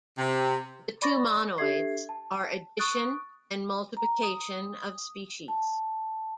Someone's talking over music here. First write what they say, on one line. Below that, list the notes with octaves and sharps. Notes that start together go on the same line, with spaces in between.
The two monoids are addition and multiplication of species.
C3
D5 B5 C#6 D6 A6 A#6
D4 G4 A4 E5 G#6 C7
A5
C#6 D#6 F#6 A6 D7
A#5
D#6
A5